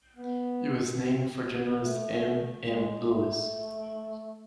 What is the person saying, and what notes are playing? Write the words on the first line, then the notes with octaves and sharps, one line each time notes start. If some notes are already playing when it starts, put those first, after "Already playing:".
It was named for journalist M. M. Lewis.
B3
A3
G#3
A3